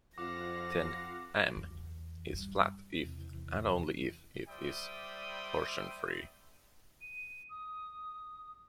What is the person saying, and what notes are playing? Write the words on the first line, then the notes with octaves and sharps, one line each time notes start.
Then "M" is flat if and only if it is torsion-free.
F2 F4 F5 F#5 D6 A#6
E2
G2
E2 C3 E3
G3 C5 D5 E5 G5 D#6
D#7
D#6